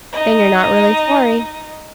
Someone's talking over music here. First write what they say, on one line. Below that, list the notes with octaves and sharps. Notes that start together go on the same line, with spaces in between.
Then you're not really sorry.
D#4 D#5